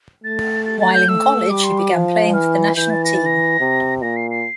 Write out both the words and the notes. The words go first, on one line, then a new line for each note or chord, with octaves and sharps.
While in college, he began playing for the national team.
A3 A6
A6
A6
G6
A3 E6
G3 D6
C6
D6
F3
E3 F6
E3 G6
A6
A#6
A6
A#6
C3
A#2 A#6
C7
C7